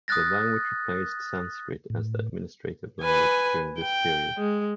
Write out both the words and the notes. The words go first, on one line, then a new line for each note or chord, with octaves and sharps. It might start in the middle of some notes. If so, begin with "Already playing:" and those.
The language replaced Sanskrit as the administrative language during this period.
D#6 F6 F#6 A6 A#6
A2
B4 G#5
G5
G#3